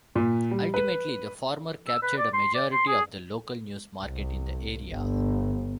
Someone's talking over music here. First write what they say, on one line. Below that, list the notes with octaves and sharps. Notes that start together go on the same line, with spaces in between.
Ultimately, the former captured a majority of the local news market in the area.
A#2
G3
B4
E6
B4
D5
C6
D5
C6
G#4
C2
G1